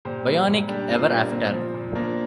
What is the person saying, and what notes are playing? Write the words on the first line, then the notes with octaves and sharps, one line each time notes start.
Bionic Ever After?
A#2 G4 C5
G3
A#2
G3 D4 G4
A#2 C4 F4
G3 A#3 D4
A#2 C4
F3
A#2
F3 A#3 D4